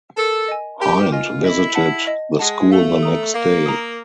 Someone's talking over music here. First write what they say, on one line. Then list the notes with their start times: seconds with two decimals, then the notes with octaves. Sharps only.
Hind visited the school the next day.
0.17 A4 A#4
0.48 D#5 G#5
0.80 G4 A#4
1.12 F4 D#5 G#5
1.44 E4 D#5
1.75 F#5 A5
2.07 D#5
2.39 G#3 F#5 A5
2.71 A3 F5
3.03 A#5 D#6
3.34 A#3 F5
3.66 A#5 D#6